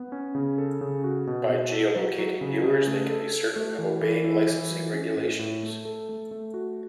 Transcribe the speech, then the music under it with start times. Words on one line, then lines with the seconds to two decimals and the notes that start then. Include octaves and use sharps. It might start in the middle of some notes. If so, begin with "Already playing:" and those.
By geolocating viewers, they can be certain of obeying licensing regulations.
Already playing: B3
0.12 C#4
0.35 C#3
0.58 A4
0.81 C#3
1.04 F#4
1.27 B2
1.49 B2
1.72 A4
1.96 F#3
2.18 F#3
2.41 C#3
2.64 C#3
2.87 A3
3.10 A4
3.33 A4
3.56 A3
3.78 E3
4.02 E3
4.24 E4
4.48 E3
4.71 F#3
4.93 C#4
5.16 A2
5.39 A2
5.63 A3
5.85 A4
6.09 A3
6.31 A3
6.54 F#4